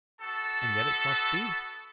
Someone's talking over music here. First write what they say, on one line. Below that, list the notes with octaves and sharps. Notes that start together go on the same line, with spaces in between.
And yet it must be.
B3 F#4 A4 A5